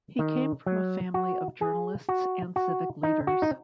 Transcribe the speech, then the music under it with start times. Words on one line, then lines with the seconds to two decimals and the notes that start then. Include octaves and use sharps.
He came from a family of journalists and civic leaders.
0.19 D#3
0.66 F#3
1.14 F#4
1.61 G#4
2.09 F#4
2.56 F#4
3.03 D#4
3.27 F#4
3.42 D#4